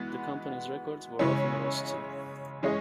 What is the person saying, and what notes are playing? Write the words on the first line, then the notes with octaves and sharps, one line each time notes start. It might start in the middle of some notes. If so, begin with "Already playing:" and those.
The company's records were often lost too.
Already playing: E3 G#3 B3 F#4
C#3 E3 G#3 C#4 E4
E3 G#3 C#4 G#4 D#5